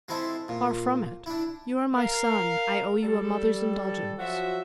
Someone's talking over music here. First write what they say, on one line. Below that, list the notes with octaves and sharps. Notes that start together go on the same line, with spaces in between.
"Far from it; you are my son, I owe you a mother's indulgence."
G#3 C4 E4 A4 E5
A#2
D4 E4
A#4 F5
G3 A4
F3 F#3 F#4 E5